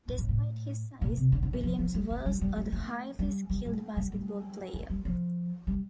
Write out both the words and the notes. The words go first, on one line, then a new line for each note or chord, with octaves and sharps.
Despite his size, Williams was a highly skilled basketball player.
A2
A2
A2
A#2
C3
D3
D3
E3
F3
F3
G3
A3
G3
G3
G3
A3
G3
G3
G3
G3
G3
A3
G3
F3
G3